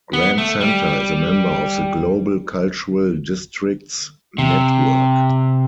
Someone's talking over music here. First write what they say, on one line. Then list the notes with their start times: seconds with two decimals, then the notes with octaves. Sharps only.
Grand Center is member of the Global Cultural Districts Network.
0.13 B3
0.38 A3
0.60 G3
4.38 C3